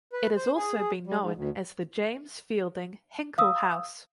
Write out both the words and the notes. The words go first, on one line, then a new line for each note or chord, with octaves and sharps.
It has also been known as the James Fielding Hinkle House.
B4
C5
G#4
G3
G#2
D2
F5 D#6 E6